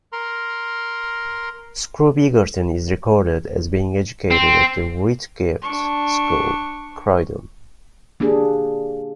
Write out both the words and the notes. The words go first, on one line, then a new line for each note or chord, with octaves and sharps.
Scroop Egerton is recorded as being educated at the Whitgift School, Croydon.
A#4 A#5 C6
C4
D4 C#6
A#3 D4 G4 G#4